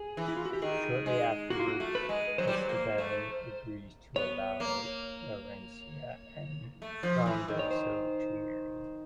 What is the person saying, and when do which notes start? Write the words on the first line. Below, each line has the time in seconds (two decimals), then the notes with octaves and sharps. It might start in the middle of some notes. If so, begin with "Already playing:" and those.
Shortly afterwards, Esteban agrees to allow Laurencia and Frondoso to marry.
Already playing: G#4
0.17 E3
0.28 E4
0.37 F4
0.46 F#4
0.53 G4
0.62 D#3 G#4
1.06 G#3
1.50 A#3 F#4
1.59 F4
1.68 F#4
1.80 A3
1.95 B4
2.09 G#3
2.38 F#3 C5
2.47 G3
2.57 F#3
2.69 A#3
2.98 A3
4.16 B3 C#5
4.60 A#3
6.82 A3
7.03 F3
7.26 E3
7.48 D#3
7.59 C#5
7.71 C5